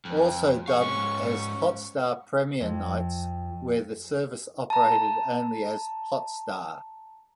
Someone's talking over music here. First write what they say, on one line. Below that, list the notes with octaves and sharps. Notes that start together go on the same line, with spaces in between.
Also dubbed as Hotstar Premiere Nights where the service operated only as "Hotstar".
F2
G#4 F5 C#6
G#2 C#4
F2
A5 A#5